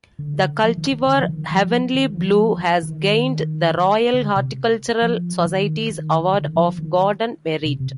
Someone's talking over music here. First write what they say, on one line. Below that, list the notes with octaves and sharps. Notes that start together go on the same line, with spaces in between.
The cultivar 'Heavenly Blue' has gained the Royal Horticultural Society's Award of Garden Merit.
D3
F3
D#3
D#3
D3
F3
D#3
F3
D#3
F3
D#3
D3
C3
F3
F3
D#3
D#3
D3
D#3
F3
D#3
C3
C3